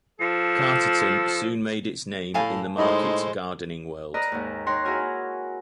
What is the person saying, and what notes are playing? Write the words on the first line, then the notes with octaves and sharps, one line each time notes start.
Carterton soon made its name in the market gardening world.
F3 A4
A2 F5 G#5 A5
A2 G#3 D#4 C5
A#4 B4 D5 D#5 A#5
D#2 G#2
D#4 C#5 G5 A#5 C6 F#6
E4 F#4 G#4 A#4 G#5 F6